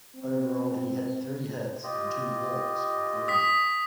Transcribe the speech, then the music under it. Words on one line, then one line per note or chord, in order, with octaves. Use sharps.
Overall, he had three hits and two walks off Ruth.
C4
F4 G4 D#5
D#6 B6